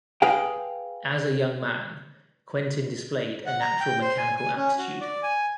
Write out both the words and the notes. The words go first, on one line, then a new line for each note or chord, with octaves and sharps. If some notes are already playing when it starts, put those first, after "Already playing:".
As a young man, Quentin displayed a natural mechanical aptitude.
G#4 B4 F5 G5
F#5
A#5
G5
C5
G#5
G#5
C#4
F#4
D5
G#5